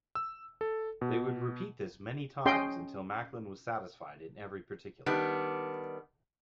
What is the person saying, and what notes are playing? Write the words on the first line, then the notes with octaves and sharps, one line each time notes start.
They would repeat this many times until Macklin was satisfied in every particular.
E6
A4
B2
C#4 G#4 D#5 G5 C6
D#3 G3 B3 D4